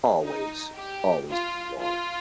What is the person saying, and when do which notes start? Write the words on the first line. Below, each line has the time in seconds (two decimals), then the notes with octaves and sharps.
Always, always exploring.
0.25 D#4
0.77 G4
1.29 F4
1.81 F4